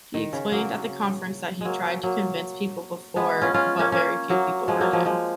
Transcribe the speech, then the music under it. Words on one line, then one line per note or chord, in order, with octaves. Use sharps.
He explained at the conference, that he tried to convince people before, but very few people heard him.
D#3
C#3
F#3 A#3
F#3 G#3 A#3
F#3 A#3
G#3 B3
C#4 F4
C#4 F4
A#3 C#4
A#3 C#4
F#3 A#3
F3 G#3
F#3 A#3
F3 G#3
F3 G#3